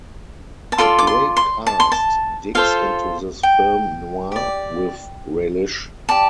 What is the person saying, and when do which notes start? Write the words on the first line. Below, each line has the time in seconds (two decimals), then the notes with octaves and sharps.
A great cast digs into this film noir with relish.
0.72 A5
0.78 F4 A4 D5 C6
0.99 D6
1.07 C6
1.37 C6
1.67 A5
1.80 C6
1.92 A5
2.55 F4 A4 C5 F5
3.43 G5
4.32 G4 D5
6.09 G4 D5 A5